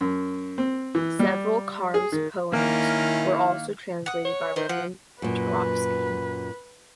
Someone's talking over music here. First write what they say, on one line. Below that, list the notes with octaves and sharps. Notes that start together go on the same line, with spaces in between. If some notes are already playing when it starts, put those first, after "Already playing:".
Several Kharms poems were also translated by Roman Turovsky.
F#2
C4
E3
G3
G#4
D#3
D#3 A#3 C#4 E4 A#4
F#5 D#6
C#5
D#3 C5
F3 F#5
F#2 A#2 B4